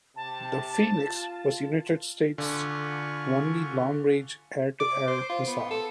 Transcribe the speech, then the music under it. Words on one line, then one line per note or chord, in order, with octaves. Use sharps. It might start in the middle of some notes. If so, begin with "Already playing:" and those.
The Phoenix was the United States' only long-range air-to-air missile.
C3 A5
F4
D3 F4 G#5 C#6
D6
C5
F4
B3
A4